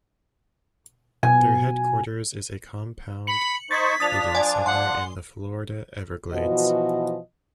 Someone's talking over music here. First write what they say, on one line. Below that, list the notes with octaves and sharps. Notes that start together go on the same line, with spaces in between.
Their headquarters is a compound hidden somewhere in the Florida Everglades.
B2 G#5
B5 C#7 F#7
D#4 C5 C#6 G#6 A6 B6
F3 D4 D#6 A6 F7
D5 G#5
F#5 C6
B2 E3 F3 F#4 D#5